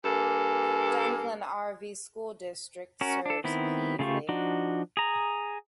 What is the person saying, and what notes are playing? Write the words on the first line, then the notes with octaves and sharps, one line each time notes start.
Dunklin R-V School District serves Pevely.
G2 A#3 A4 G#5
C#4 F#4 A#4
D4 A4
D#3 B3 C4 E4
C#3 A3 F4 G4 C#6
F3 D4 D#4 F#4
G#4 A#5